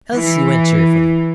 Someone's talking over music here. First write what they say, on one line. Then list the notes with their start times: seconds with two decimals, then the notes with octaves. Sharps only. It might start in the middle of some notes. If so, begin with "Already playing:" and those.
Elsie went cheerfully.
0.14 E3